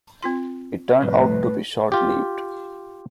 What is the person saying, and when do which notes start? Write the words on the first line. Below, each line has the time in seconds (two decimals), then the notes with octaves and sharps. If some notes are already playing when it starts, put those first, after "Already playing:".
It turned out to be short-lived.
0.23 C4 F4 C6
1.02 C2 F2 A2 B4
1.92 F4 G4